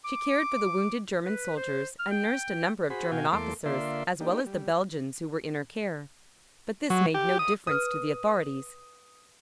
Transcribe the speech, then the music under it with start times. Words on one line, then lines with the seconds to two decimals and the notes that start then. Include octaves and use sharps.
She cared for the wounded German soldiers and nursed a number of German officers, as well as the Belgians who were in her care, but this made no difference to the authorities.
0.05 D6
1.22 B4
1.57 C5
1.99 F6
2.11 G5
2.90 F#4 G#4 C5 B5
3.11 B2 F#4 F5 G5 G#5
3.33 E2 A3 A#3 A4 C6 D6
3.66 D3 A#3 F4 D5 E5 C6
4.20 A#3 D4 D#4 G4
4.46 G3
6.90 F#3
7.14 G4
7.39 D#6
7.67 B4 D#6 F6